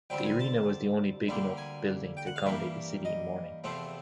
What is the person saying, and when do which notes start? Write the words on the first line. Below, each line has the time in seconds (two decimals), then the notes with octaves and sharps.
The arena was the only big enough building to accommodate the city in mourning.
0.10 F2 D3 G3 C4 G5
0.25 G#5
0.39 A5
1.28 D2 D3 G3 A#3
1.57 G#5
2.17 G5
2.26 F#5
2.36 F5
2.46 G2 E3 G3 A#3 E5
3.05 D#5
3.64 E2 C3 F3 A3 C4